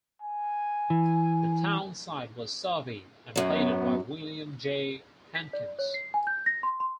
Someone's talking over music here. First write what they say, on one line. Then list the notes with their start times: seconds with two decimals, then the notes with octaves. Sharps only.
The town site was surveyed and platted by William J. Hankins.
0.22 G#5
0.90 E3
3.36 F#2 F#3
3.48 B3
5.35 B6
5.53 D5
5.79 C#5
5.94 C7
6.14 G#5
6.27 G6
6.46 A#6
6.63 C6
6.80 C6